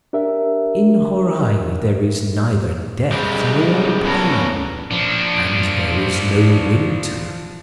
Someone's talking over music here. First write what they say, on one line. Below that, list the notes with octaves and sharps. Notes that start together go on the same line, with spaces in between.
In Horai there is neither death nor pain; and there is no winter.
D4 G4 A#4 E5
G3 G#3 C4 G4
B3 C#4 A4 A#4
F3 D4